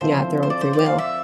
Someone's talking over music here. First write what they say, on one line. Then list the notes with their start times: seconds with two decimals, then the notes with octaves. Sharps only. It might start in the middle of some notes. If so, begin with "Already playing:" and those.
you know, at their own free will,
0.01 D3 F3 C4 E4 C5
0.43 C5
0.50 D5
0.61 C5
0.73 D5
0.86 F5
0.98 E5